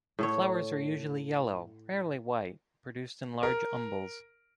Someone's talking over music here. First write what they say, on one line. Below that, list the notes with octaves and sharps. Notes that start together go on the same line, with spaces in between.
The flowers are usually yellow, rarely white, produced in large umbels.
A2 A4 C#5
A#4